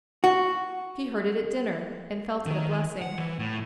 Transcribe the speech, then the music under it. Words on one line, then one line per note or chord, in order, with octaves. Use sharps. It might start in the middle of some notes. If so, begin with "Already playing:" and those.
She heard it at dinner, and felt it a blessing.
F#4
D#3
F#5
E3
A2